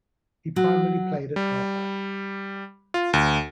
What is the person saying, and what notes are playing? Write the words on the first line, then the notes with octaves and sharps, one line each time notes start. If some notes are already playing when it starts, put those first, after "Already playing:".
He primarily played at half-back.
F#3
G3
F4
D2